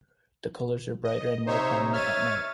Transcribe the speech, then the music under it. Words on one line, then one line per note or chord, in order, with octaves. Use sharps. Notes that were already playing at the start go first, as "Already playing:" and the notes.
The colors are brighter and more prominent at night.
D#5
C3 D#4 C5 C#5 E5
C#5 E5 F6 A6 D#7